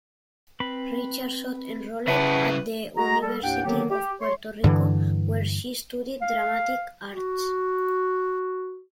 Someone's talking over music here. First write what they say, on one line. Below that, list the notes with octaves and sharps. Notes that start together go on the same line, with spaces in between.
Richardson enrolled at the University of Puerto Rico where she studied Dramatic Arts.
C4 B4 B5
C#3 E4 B4 E5 F#5 A5
G#3 F#4 G#4 A#5
G3 A4
D#2 A2 D4 F#5 G5
D3 D#3 F#3 A#3 B3 G4
G4
C#5 C6
G2 D3 E3
F5
F#4